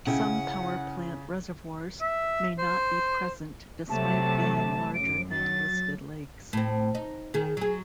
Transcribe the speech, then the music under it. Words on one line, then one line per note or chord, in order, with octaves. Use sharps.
Some power plant reservoirs may not be present despite being larger than listed lakes.
C#3 C#4 E4 F#5 G5
E5
C5
C3 F#3 A3 A5
F#2 D7
F#3 A6
A2 C4
D#4
D#3 G#4
F#3 G#4